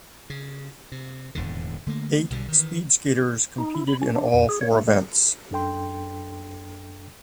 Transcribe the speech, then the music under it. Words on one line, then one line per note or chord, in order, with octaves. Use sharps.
Eight speed skaters competed in all four events.
C#3
C3
D#1 E2 G#2 D3
D3 A3 A#3
B1 B2 D3 G3
D#3 E3
D#4
E4
B5
C#4
D4
F2
G#4
C#5
A3
G#3
F#2 D4 A4 G5 C6